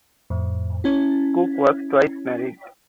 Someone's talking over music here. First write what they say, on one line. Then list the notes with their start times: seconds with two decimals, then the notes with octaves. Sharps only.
Cook was twice married.
0.30 F2 A2
0.84 C#4 E4